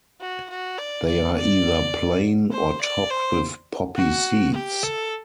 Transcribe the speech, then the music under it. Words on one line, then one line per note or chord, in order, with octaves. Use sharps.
They are either plain or topped with poppy seeds.
F#4
F#4
D5
D5
D5
C5
D5
C5
F#4
G4
A4